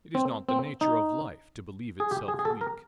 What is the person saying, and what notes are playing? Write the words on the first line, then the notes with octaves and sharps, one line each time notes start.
It is not the nature of life to believe itself weak.
C4
C4
D#4
G#4
G4
G#4
G#4
A4
A#4